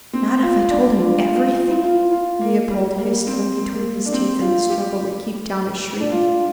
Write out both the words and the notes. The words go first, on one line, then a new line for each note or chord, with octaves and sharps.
"Not if I told him everything?" Leopold hissed from between his teeth in the struggle to keep down a shriek.
C4
F4
D4
F4
F4
F4
F4
F4
A#3
G3
A#3
C4
A#3
D4
C4
F4
G4
D4
F4